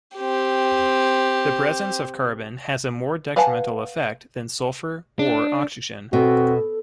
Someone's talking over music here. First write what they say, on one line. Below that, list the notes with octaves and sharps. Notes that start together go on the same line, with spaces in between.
The presence of carbon has a more detrimental effect than sulfur or oxygen.
C4 G4
B4 F5 F#5 G#5 A5
D4
B2 C4 F#4 A4